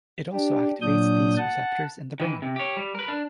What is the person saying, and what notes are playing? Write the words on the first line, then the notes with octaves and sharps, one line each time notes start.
It also activates these receptors in the brain.
D4 G4
A#2 F#3 D4 D#6 G6
F#5 A5
D#3 E3
C3
G4 C#5
G3
A#4 B4
D4